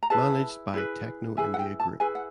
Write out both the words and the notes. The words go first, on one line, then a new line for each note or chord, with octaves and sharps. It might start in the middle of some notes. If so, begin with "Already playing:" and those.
Managed by Techno India group.
A#5
E4 G#4 B4 A5
E4 G#4 B4
E4 G#4 B4 G#5
F#5
G5
A5
E4 G#4 B4 G#5
F#5